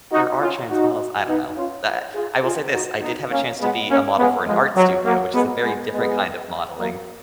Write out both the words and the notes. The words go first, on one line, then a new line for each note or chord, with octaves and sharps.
there are trans models I don't know. Da I will say this, I did have a chance to be a model for an art studio, which is a very different kind of modeling.
D#4 F#4
C#4 F4
D#4 F#4
B3 D#4
C#4 F4
F4 G#4
F4 G#4
D#4 F#4
B3 D#4
A#3 C#4
G#3 B3
A#3 C#4
G#3 B3
F3 G#3
F#3
F#3 A#3
G#3 B3
G#3 B3
G#3 B3
F#3 A#3